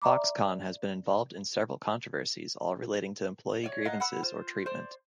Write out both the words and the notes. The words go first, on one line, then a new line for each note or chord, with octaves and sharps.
Foxconn has been involved in several controversies all relating to employee grievances or treatment.
D5 E5 A#5 B5 D6
C#5 D5
D#5 F5 F#5 A#5
F#5 B5 E6
F4 C5
C5 D5